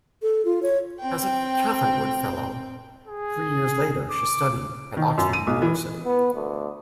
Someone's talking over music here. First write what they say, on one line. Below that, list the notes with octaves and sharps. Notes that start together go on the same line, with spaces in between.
As a Catherwood Fellow three years later, she studied at Oxford University.
A4
F4
C#5
C4 G5
G#4
D6
D#3
F#2
D#7
B1
E3
B3
D2